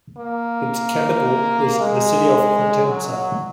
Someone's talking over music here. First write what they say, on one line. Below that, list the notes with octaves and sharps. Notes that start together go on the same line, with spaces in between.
Its capital is the city of Potenza.
A#3
G#3
F#3